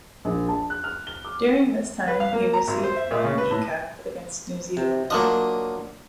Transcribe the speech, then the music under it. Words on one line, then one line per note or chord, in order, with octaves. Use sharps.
During this time he received one B cap against New Zealand.
A#1
A5
F#6
F6
G7
D6
B4
F5
A#3
A#5
G#1
C5
E5
A#2
C#3
B4
A2
C3
F#3 A#3 D4 F4 D#5